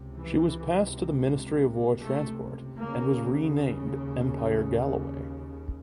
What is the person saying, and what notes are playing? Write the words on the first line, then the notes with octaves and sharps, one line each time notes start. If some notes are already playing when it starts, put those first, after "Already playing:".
She was passed to the Ministry of War Transport and was renamed "Empire Galway".
Already playing: C#2 C3
E3
A3
D#2 C#3 A#3